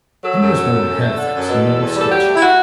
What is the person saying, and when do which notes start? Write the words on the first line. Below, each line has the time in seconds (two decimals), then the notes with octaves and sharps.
Henry was born in Halifax, Nova Scotia.
0.24 F#3 A4
0.40 F#2
0.56 F#3
0.71 F#2
0.86 F#2
1.01 A3
1.17 D3
1.33 F#2
1.48 B2
1.64 E2
1.79 E2
1.95 G3
2.00 A4
2.11 F#3 G4
2.27 A3
2.35 E4
2.42 A3 F#4